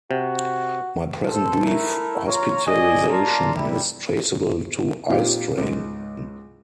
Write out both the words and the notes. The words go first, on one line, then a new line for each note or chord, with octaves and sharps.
My present brief hospitalization is traceable to eyestrain.
C3 F#4
A4 C5
A3 E4 A#4
F4 C#5 A#5
G#4 D5 D#5 G#5
A#3 F4 D5 A5 A#5 C6
G3 E4
A#2 C4 D#4 F4 G4
C#2 G#2